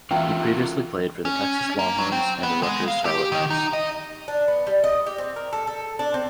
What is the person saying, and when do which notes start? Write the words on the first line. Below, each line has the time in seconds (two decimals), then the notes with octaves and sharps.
He previously played for the Texas Longhorns and the Rutgers Scarlet Knights.
0.11 E3 A#3 C#4 F4 F#4 A#4 E5 G5
1.25 C#4
1.79 A#3
1.99 F#3
2.12 C4
2.43 B3
2.63 G#3
2.88 F5
3.05 G4
3.32 D#3
3.50 D#4
3.73 D#5
4.28 D4
4.48 B3
4.67 G3
4.84 D#5
5.07 G4
5.18 C4
5.36 A#4
5.53 A4
5.67 A4
5.99 D4
6.14 C4